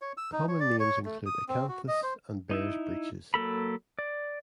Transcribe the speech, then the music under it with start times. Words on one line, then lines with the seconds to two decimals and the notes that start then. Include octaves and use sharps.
Common names include Acanthus and Bear's breeches.
0.02 C#5
0.17 E6
0.33 D#4
0.48 C#5
0.60 D5
0.80 C#5
1.05 A3
1.26 D#6
1.49 C4
1.69 F#4
1.88 D#5
2.03 C5
2.51 D#4 E4
3.34 F#3 A#3 A4 B5
3.99 D5